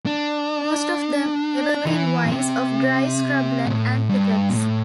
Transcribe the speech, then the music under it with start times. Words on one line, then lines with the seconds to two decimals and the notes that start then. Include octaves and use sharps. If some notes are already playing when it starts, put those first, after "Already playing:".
Most of them evergreen vines of dry scrubland and thickets.
0.06 D4
1.86 E3
2.25 A#2
2.31 C3
3.66 A2
4.10 G2
4.50 A#2
4.55 A2